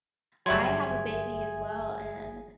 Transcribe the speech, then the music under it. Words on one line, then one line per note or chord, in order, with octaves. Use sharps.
I have a baby as well, and
G1 F#3 G3 G#4 E5 C6 G#6 F#7